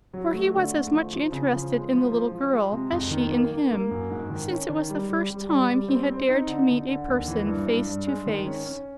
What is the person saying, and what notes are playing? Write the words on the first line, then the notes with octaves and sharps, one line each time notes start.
For he was as much interested in the little girl as she in him, since it was the first time he had dared to meet a person face to face.
F#3
A3
D3
A3
F3
F3
C#3
F3
G#3
F3
F3
F3
G#3
C3
F2
D#3
A#3
A#3
A#3
F#2
G#2
D#3
C#4
D#3
G3
G3
G3
G3
G3
C4
C4
D#4
D3
D3
D3
D#2
E3
G2
G2
G2
G#3
D#3
C#4
C#4